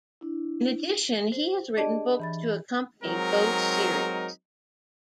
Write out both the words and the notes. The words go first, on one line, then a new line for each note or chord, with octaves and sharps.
In addition, he has written books to accompany both series.
D4 E4
C5
D4 G4 G#4 D5 D#5 A5
E3 B5 A6
F#3 G#3 C4 D#4 A#4